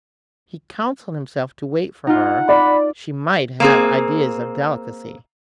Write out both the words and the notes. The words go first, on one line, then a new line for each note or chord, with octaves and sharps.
He counselled himself to wait for her; she might have ideas of delicacy.
D#4 F4 F#5
D5 B5
A#3 C4 G#4